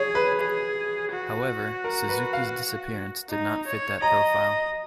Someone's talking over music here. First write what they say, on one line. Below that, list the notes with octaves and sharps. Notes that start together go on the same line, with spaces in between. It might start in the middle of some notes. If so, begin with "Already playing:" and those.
However, Suzuki's disappearance did not fit that profile.
Already playing: G#4 C#5
B4
G#4
F#4
A#4
B4
F5
D#4
C#5
D#5 A#5